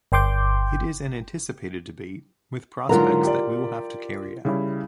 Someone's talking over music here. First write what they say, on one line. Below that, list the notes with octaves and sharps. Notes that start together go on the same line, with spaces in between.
It is an anticipated debate with prospects that we will have to carry out.
G1 G5 C6 D6 G6
G#2 D3 F#3 F4 A#4 A#5
G4 D5
C#3 G3 E4